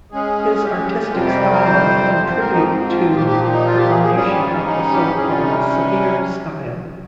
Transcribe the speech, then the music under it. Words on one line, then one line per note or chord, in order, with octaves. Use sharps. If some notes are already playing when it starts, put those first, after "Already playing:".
His artistic style contribute to the formation of the so-called "severe" style.
C#3 G#3 C#4 G#4
G4
F2 C3 G3 C4 F4
G4
A#4
C5
G#2 F3 C4 C5
C5
A#4
D#4
F4
A#2 F3 A#3 G4
G4
D#4
F4
G4
G#4
G#4
G#2 G3 C#4 G#4
G4
F4
D#4
D#4
G4
C3 G3 C#4 G#4
F4
D#4